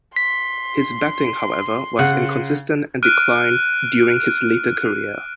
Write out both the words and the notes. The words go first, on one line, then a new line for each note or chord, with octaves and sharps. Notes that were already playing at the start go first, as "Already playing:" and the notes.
His batting however was inconsistent and declined during his later career.
C6 B6
C#3 F#5
F6 F#6 D7 D#7